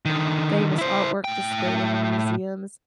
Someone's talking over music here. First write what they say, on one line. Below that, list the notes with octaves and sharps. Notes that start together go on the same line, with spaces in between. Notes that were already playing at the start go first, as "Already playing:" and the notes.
famous artwork displayed in the museums.
D3 D#3
E4 C5
A2 G5